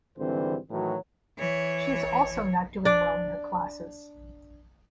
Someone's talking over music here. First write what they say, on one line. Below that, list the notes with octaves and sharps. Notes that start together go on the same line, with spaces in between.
She is also not doing well in her classes.
G#1 D3 E3 G3 C4 C5
A2 D#3 E3 F#3
E3 C#5
D4 D5